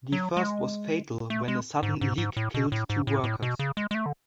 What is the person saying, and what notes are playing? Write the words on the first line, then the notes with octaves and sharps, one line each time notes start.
The first was fatal when a sudden leak killed two workers.
F#3
G#3
A3
G#3
G#2
G#2
G#2
A2
B2
A2
G#2
A2
A2
B2
C#3
G#3
G#3
A3
D3